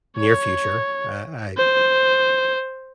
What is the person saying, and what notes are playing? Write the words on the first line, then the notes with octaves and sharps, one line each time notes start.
near future, uh, I
C#5
C5